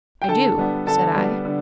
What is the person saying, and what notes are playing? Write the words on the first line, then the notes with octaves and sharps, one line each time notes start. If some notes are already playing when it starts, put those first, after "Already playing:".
"I do," said I.
G5
D3 A4 A5
G3 B3 D4
D3 A4 A5
G3 B3 D4
D3